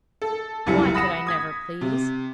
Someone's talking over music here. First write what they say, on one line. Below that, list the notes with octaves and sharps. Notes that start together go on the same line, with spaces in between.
Why could I never please?
A4
F1 C#2 F#2 G3 E4 C#7
F#5 B5 D#6 A#6 C#7 E7
D#6 G#6 B6
C3